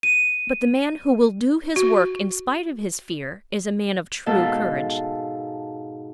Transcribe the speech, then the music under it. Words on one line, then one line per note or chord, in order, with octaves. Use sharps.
But the man who will do his work in spite of his fear is a man of true courage.
D#7
F#4
G#2 B2 A4 F5 A5